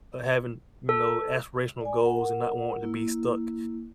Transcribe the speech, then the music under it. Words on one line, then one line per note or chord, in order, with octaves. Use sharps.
uh, having, you know, aspirational goals and not wanting to be stuck
A4
D5 G#5
A#4 F#5
A#3 E4